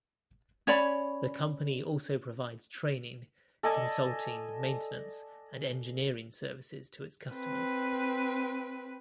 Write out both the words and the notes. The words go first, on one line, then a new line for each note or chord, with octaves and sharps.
The company also provides training, consulting, maintenance and engineering services to its customers.
C#4 C#5 D5 B5
A4 D5 D#5 G#5
C4 B4